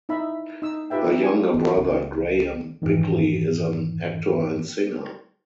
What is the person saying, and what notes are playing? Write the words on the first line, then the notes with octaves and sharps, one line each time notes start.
Her younger brother Graham Bickley is an actor and singer.
D#4 E4 E5 B5
D#4 E6
D#4 F4 G4 B4 E5 G5
G#5
E3
C#2
F2 G#2 D#3 E3